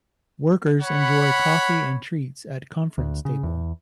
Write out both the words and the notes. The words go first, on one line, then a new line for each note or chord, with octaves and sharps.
Workers enjoy coffee and treats at conference table.
C#5 F#5 B5
D2
C#3
E2